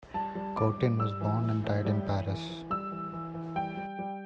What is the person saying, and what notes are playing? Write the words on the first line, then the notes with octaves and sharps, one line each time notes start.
Cotin was born and died in Paris.
G3 A5
G3
G2 D6
G2
G3 E6
E3
E3
A2
G3
E3
E3
E3
G3 E6
E3
E3
E3
G3 G5
G3
G3